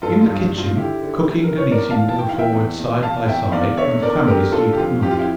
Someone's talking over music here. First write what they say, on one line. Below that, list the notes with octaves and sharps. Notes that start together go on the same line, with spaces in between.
In the kitchen cooking and eating go forward side by side, and the family sleep at night.
G2 F4 A4
F4
G2
G2
F4
D3 E4 G4
D3
D3
A#4
E3 C#5
A#4 D5
E2
F5 A5
E3
A5
G5
E3 F5
E5 G5
E2
E2
E2 F5 A5
E2 E5 G5
E2 D5 F5
D3 C#5 E5
E2 A#4 D5
D3 G4 A#4
D3 F4 A4
G4
F2 F4
F2 G4
F4
E4 G4